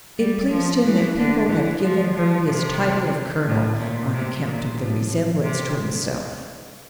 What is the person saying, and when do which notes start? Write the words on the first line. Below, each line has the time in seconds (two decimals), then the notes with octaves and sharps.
It pleased him that people had given her his title of Colonel on account of the resemblance to himself.
0.18 G3
0.51 F3
0.84 E3
1.17 D3
1.50 E3
1.82 F3
2.15 F3
2.48 C3
3.46 A2
3.78 A#2
4.12 C3
4.45 A#2
4.77 A2
5.43 C3